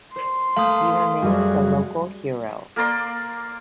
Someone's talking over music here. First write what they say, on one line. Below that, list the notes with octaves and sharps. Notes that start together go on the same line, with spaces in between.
He remains a local hero.
C5 C6
A3 A#3 F5 D#6
F#2 G3 F#4 G#4 D#5
A#3 A#4 D5 C6